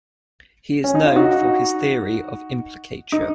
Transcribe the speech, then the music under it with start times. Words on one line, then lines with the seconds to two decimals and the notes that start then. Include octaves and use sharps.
He is known for his theory of implicature.
0.84 C#4
0.95 D#4
1.05 F4
1.16 D#4 F#4
3.12 D#4